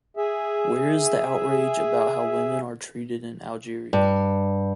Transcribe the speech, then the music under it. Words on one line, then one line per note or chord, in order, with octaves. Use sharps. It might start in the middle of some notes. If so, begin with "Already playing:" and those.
Where is the outrage about how women are treated in Algeria?
G#4 E5
G2